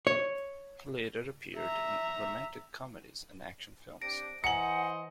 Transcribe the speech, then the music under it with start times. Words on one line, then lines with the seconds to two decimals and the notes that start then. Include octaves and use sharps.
He later appeared in romantic comedies and action films.
0.07 C#5
1.56 E5 A#5
4.02 C4 D4 G4 A#6 D7
4.44 E3 C5 D#5 F#5 G#5 A#5 C#7 F#7